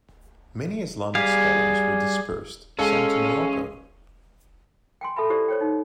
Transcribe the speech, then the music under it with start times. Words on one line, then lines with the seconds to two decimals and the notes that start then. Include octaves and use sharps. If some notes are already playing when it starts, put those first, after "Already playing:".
Many Islamic scholars were dispersed, some to Morocco.
1.15 G3 G#4 F5
2.79 G#3 C#4 A4 F5
5.01 G5 G#5 C6
5.16 A4 E5 A5 B5
5.30 E4 G4 A4 C5 D5
5.48 C5 C#5 G5
5.61 D#4